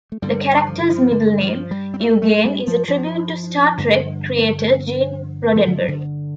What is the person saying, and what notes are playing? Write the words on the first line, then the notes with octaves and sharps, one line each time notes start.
The character's middle name, "Eugene", is a tribute to "Star Trek" creator Gene Roddenberry.
A3
G2 D3 G3
F3
D3
F3
D3
F3
G3
C4
A3
A3
G3
F3
F3
G2 D3
F3
D3
D3